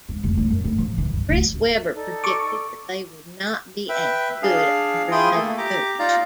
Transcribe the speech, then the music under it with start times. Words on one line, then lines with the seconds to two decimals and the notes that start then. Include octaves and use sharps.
Chris Webber predicted that they would not be as good under another coach.
0.09 G#2
0.24 F1
0.37 A2
0.50 F#2
0.64 A2
0.78 F3
0.98 E3
1.13 G2
1.29 D1
1.93 D#4 A4 D5
2.24 C#6 D6
3.89 B4 E5 G5
4.42 D4 G#4 F5
5.12 E4 F4 G#4 G5 C6 D#6
5.33 A3 A#3 A4
5.58 G4 A#5 D6
5.99 D#4 F4 D5 F5 A#5